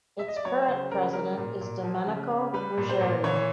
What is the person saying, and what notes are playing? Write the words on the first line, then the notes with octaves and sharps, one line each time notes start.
Its current president is Domenico Ruggerio.
E5
D#5
D5
F#3 C#5
C#3 C5
C#3 A#4
B4
G3 A#4
A#2
A#2
F3
C#3
C#3
G3 B4
A#2
C5
A#2
E3 C#5